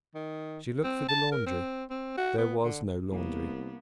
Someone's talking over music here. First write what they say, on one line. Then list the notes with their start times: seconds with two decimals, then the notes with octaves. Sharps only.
She looked for the laundry; there was no laundry.
0.15 D#3
0.84 C4
1.09 A5
1.32 A#4
1.46 C4
1.90 C4
2.17 F#4
2.38 B3
2.64 D3
3.11 C2 A#3 B3